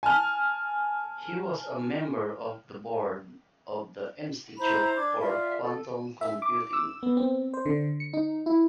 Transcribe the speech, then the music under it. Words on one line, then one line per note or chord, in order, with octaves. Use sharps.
He was a member of the board of the Institute for Quantum Computing.
G#5 A5 F6
E4 C5 A#5 B5
D4 D6 G#6
F4 D5 E5
A4
E5
D6
E6
B3
C4
C5
D3
C#7
D#4
E4